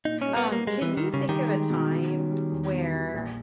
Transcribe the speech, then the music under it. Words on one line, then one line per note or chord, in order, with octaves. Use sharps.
Um, can you think of a time where
A#2 D#4
C#4
G3
B3
G3
A#3
G3 G#3
E3
G3
D#3
G3
C#3
D#3 G4
G#3
B2
B2
C#4
G3
E2
B2
G3
A#1